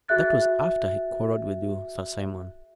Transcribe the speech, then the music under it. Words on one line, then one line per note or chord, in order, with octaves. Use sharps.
That was after he quarrelled with you, Sir Simon.
F#4 G#4 E5 F#6 A6